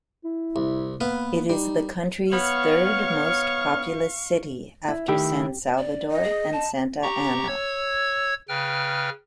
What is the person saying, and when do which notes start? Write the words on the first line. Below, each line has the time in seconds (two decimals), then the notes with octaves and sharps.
It is the country's third most populous city after San Salvador and Santa Ana.
0.24 E4
0.56 C2
1.01 A#3 B3 B4 F5
1.50 G3 D#4
2.33 B3 C#5 F5 C#6 F6
4.88 E4
5.08 D#3 A3 E4 G4
5.77 D5
6.11 D#5
6.24 G#4
6.53 A5
7.02 G4 A#5 C#6
7.48 C#5 E6 G#6
8.49 C#3 B4 G5 F6